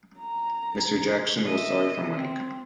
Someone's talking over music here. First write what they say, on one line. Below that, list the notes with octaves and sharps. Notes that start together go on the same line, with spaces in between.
Mr. Jackson was sorry for Mike.
A#5
D#5 E5
C4